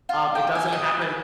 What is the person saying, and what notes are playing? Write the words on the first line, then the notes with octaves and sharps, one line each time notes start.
um, it doesn't happen
F4
G5
G#5
D#5
B4